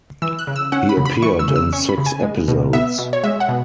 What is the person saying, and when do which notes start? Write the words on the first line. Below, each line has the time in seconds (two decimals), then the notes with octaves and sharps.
He appeared in six episodes.
0.22 E3 E6
0.39 F#6
0.47 C#3
0.56 E6
0.72 C#4 F#5
0.89 B5
0.97 C#3
1.06 B5
1.22 E3 C#6
1.39 E6
1.48 C#3
1.56 E6
1.73 C#4 C#6
1.89 B5
1.98 C#3
2.06 G#5
2.23 G#3
2.48 B2
2.73 B3 E5
2.98 B2
3.13 C#5
3.24 G#3 E5
3.40 F#5
3.48 B2